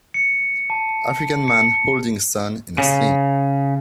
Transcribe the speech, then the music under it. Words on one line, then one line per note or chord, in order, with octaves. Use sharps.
African man holding son in a sling.
C#7
A5
C#7
C#3